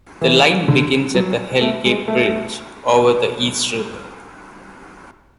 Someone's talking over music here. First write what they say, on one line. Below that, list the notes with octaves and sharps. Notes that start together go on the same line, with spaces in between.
The line begins at the Hell Gate Bridge over the East River.
E3
D3
F#3
A3
G#3
A3